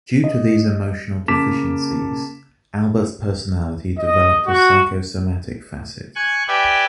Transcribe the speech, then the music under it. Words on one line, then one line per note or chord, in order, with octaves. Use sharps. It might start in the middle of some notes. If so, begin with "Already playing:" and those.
Due to these emotional deficiencies, Albert’s personality developed a psychosomatic facet.
D#5
C#3 A#3 A5 D6 B6 E7
D#5
F#4
G#5 C#6 F#6
G4 B4 D5 E5 G5 G#5